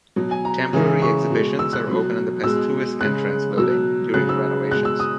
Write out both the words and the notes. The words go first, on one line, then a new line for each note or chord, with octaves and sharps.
Temporary exhibitions are open in the "pesthuis" entrance building during the renovations.
B2 F#3
G#5
A#5
C#3 E3 G#3
C#6
B2 G#3
E6
F#6
B2 F#3
B2 G#3 E6
C#3 G#3 F#6
B2 F#3 E6
C#3 F#3 F#6
E6
B2 G#3 F#6
E6
D#6